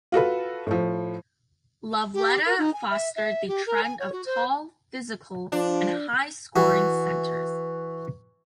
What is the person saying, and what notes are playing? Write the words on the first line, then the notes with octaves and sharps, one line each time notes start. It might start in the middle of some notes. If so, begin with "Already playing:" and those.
Lovellette fostered the trend of tall, physical and high-scoring centers.
F4 F#4 A4 B4
A2 F3
G4
A#4
D#4
G#5
E5
E5
G4
A#4
G#5
C#5
F#4
C5
F3 D4
E3 F#4